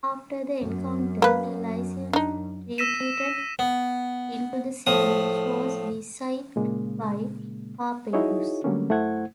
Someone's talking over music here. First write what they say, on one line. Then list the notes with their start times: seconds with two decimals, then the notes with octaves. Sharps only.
After the encounter, the Lycians retreated into the city which was besieged by Harpagus.
0.62 F#2
1.22 A#3 B4
2.13 D4 D#4
2.78 E6 A#6 B6 D#7 E7
3.59 B3
4.86 A2 F3 D#6
6.56 A#2 C#3 G#3 A#3
8.13 D#4 E4 F#4 G#4 C#5 D#5
8.64 D3 F#3 G3 A3 A#3 C#4
8.89 F#2 A3 E4 C5 F#5 G#6